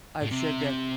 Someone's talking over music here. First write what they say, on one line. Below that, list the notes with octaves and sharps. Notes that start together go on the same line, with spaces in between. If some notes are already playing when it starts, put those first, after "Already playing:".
I've said that,
A2
C3